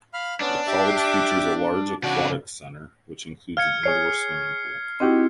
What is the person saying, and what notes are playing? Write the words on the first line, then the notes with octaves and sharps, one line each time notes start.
The college features a large aquatics center, which includes an indoor swimming pool.
F5 B5 F6
B3 C#4 D4
G4 E5 D6
C#3 D4 F#4 D5
F5 F6 G#6 C#7
G#4 C#5 C7 C#7
C4 D#4 E4 F#4 G4